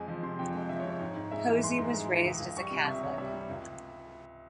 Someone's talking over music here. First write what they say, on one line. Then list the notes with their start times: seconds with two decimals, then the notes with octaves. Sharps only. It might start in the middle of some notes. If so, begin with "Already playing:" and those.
Posey was raised as a Catholic.
Already playing: F2 G#3 G#5
0.08 F3
0.23 C3 C6
0.39 F2 G5
0.55 G#3
0.69 F3 E5
0.80 C#5
0.85 C3
0.91 C#5
1.01 G#2
1.16 G#2
1.31 G#3 E5
1.48 E3
1.63 G#2 C6
1.78 G#2
1.94 G#3
2.10 E3
2.25 C#2
2.40 C#2
2.57 G3 C#6
2.71 C3
2.88 C#2 E5
3.03 C#2 C#5
3.18 G3 E5
3.33 C3
3.50 C#2